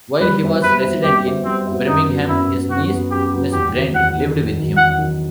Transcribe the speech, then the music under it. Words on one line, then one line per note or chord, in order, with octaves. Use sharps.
While he was resident in Birmingham his niece, Miss Brent, lived with him.
G3 B4
B3 F#4 C5 E5
G3 B4
B3 F#4 C5 E5
G3 G4
B3 F#4 C5 E5
G3 C4
B3 F#4 C5 E5
F#2 D#4
F#3 B3
F#2 E4
F#3 B3
F#2 F#4
F#3 B3
F#2 G4
F#3 B3
E2 G4
D#3 F#3
E2 F#5
D#3 F#3
E2
D#3 F#3
E2 F#5
D#3 F#3